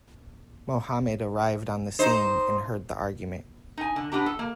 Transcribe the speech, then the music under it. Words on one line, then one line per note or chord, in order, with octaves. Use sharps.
Muhammad arrived on the scene and heard the argument.
D#4 C5
D#4 G#5
D3
B3 D4 G4 A#5
A4
A#3